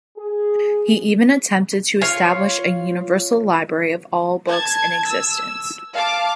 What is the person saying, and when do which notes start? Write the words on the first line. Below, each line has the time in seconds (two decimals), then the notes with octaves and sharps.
He even attempted to establish a "universal library" of all books in existence.
0.18 G#4
2.02 F4 C#5 F5
4.47 A5 G#6
5.09 E6
5.93 F5 A5 D6